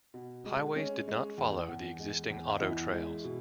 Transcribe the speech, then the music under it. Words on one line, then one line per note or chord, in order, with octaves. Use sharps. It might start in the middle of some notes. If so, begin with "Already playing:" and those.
Highways did not follow the existing auto trails.
B2
G#3
G#3 C#4 C#5
G#3
E2
E2
G#3
E2
D#5
E2 E4 E5
G#3
B2